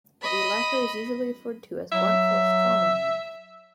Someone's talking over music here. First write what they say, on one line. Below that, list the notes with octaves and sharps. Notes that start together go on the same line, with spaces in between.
The latter is usually referred to as blunt force trauma.
D#5 B5
F#3 E5